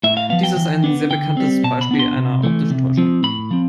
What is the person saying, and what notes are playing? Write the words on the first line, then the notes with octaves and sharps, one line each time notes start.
Dies ist ein sehr bekanntes Beispiel einer optischen Täuschung.
A2 E5
F5
F3 B3 F5
G5
E3
B3 D4
D3 G5
G3 C4
B2 A5
B5
B3 D4
C6
C3
E3 A3
C3
F3 C4
A2 B5
F3 C4